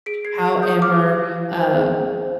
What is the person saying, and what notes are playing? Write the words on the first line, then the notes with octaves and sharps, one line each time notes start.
However, um,
G#4 B6 D7
G#4 G#6 C7
F5
G#4 D#6 G6
F5 D6 F6
G4
F5
F5
C5
G#4
F5
C5